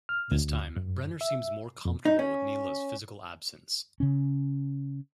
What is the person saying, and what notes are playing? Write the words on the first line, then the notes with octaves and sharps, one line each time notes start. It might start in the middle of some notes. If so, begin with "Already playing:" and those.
This time Brenner seems more comfortable with Neela's physical absence.
F6
D2
F#2
E5
F2
D#4
C#4
C#3 C#4